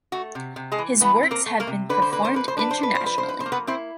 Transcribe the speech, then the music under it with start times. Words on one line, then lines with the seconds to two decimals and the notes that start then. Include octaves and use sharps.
His works have been performed internationally.
0.12 A3 F#4
0.35 C3
0.56 C3
0.72 G#3 G#4
0.78 E3
1.01 E3 B3 B4
1.23 C4
1.31 A#3 A#4
1.46 A3
1.60 A#3 A#4
1.67 C3
1.89 D3 B4
2.02 C5
2.12 A#3 B4
2.25 C5
2.34 F3 B4
2.48 C5
2.57 D4 B4
2.71 C5
2.79 D4 B4
2.95 C5
3.01 F3
3.06 B4
3.18 C5
3.23 F3
3.29 B4
3.40 C5
3.46 A#3
3.52 B3 B4
3.67 C4 E4 C5